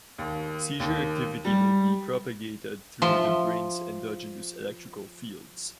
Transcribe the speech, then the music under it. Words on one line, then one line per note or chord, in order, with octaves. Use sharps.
Seizure activity may be propagated through the brain's endogenous electrical fields.
D#2
D#2
G3
F3 E5 C6